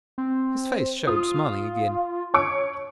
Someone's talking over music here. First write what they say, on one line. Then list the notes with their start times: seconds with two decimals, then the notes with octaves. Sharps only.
His face showed smiling again.
0.18 C4
1.07 F4 D#6
2.34 C#5 C#6 D7